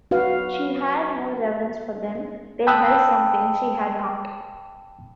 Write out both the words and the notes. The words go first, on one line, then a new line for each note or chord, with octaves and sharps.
She had more reverence for them: they held something she had not.
F#4 B4 F5
G5 A5 B5 D#6 E6 F#6